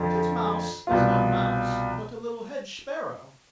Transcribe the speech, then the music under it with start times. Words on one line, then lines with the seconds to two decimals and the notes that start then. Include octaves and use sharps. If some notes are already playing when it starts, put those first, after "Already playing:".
Titmouse is not a mouse, but a little hedge sparrow.
Already playing: F2 D3 F3
0.87 C2 B2 B3 F4